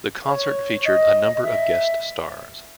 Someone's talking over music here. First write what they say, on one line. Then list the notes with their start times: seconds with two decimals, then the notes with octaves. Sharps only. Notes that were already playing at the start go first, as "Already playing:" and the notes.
The concert featured a number of guest stars.
0.25 C#5
0.84 D#5
1.34 D#5
1.43 E5